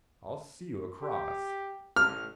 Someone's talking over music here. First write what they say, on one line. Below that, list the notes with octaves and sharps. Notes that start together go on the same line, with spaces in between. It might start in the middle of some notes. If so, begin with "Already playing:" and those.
I'll see you across.
G4
A1 F6